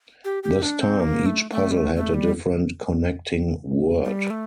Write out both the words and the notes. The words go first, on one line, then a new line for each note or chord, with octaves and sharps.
This time, each puzzle had a different connecting word.
G4
G4
D4
C4
A#3
A3
A3
G3
A3
A3
G3
G3
A3